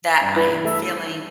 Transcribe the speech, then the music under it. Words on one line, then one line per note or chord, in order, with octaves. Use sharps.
that I am feeling
G2
E4 B4
E3
A3 E5